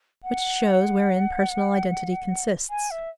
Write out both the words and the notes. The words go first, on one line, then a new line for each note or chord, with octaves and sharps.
Which shows wherein Personal identity consists.
F#5
G#5
E5